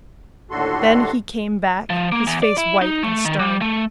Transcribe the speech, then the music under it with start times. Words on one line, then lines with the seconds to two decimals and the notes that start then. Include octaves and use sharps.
Then he came back, his face white and stern.
0.51 D#2 A2 D3 F#4 A4 C6
1.90 F3
2.12 A#3
2.27 E2
2.42 D5
2.58 E4
2.82 D#4
3.03 A3
3.25 D#3
3.40 G3
3.62 A3